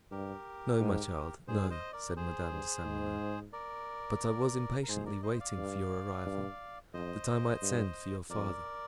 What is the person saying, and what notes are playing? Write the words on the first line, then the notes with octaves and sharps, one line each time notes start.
"No, my child, no," said Madame de Saint-Meran; "but I was impatiently waiting for your arrival, that I might send for your father."
G2 G4 A#4
G#2
G2 G#4 C5
C5 D#5
A#4 D5
F2 G#4 C5
G2
G#2
A#4 D5
A#4
G#2 G#4 C5
A#4 D5
C5 D#5
D5 F5
G2
G2
F2 C5 D#5
G2
F2 A#4 D5